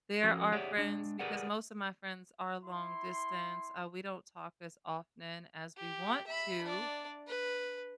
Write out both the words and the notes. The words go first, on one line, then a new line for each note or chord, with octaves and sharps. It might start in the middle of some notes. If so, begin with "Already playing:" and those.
there are friends because most of my friends are long distance. Uh, we don't talk as often as we want to.
F3 C#4 F#4 A4 A#4
G4 G#4 C#5 D5 E5 F#5
G#3 D4
G4 G#4 A#4 B4 D5 F#5
E4 C6
G4
E5 B5
D4 D5
B4